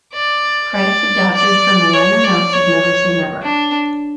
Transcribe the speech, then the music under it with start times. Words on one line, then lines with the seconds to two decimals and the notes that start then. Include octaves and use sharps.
Credits adapted from the liner notes of "Never Say Never".
0.14 D5
0.74 D5
1.34 D5
1.94 C#5
2.24 D5
2.53 C#5
3.43 D4